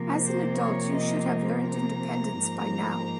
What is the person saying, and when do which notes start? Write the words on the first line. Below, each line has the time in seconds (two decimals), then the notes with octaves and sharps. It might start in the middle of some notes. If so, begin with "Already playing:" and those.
As an adult, you should have learned independence by now!
Already playing: C3 F3 A#3
0.21 C5
0.57 C#5
0.93 D#5
1.66 A#5
2.39 G#2 F3 A#3